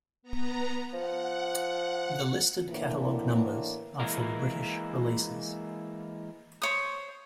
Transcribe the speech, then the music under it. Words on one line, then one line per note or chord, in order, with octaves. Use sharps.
The listed catalog numbers are for the British releases.
B3 A#5
F3 F#5
A2 D3 E3 A#3
E3 G#3 A#3 E4 A#4
C5 C#5 D#6